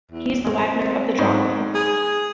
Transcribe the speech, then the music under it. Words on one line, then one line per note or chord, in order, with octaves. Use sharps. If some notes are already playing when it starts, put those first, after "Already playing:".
He is the Wagner of the drama.
E2
G#3 C4
G#2
G#4